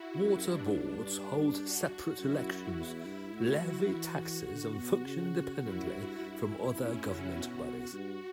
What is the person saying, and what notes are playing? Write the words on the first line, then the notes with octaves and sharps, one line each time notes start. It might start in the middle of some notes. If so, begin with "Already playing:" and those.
Water boards hold separate elections, levy taxes, and function independently from other government bodies.
Already playing: E4 F#4
F#2
G2 D4
F#4
F#4
F#2 E4
E2
G2
A2 F#4
F#3
E3 F#4
F#4
D3
B2
C#3
F#2 E4
G2
G2
F#2
A2 C#4
C#3 F#4
B2 F#4
G2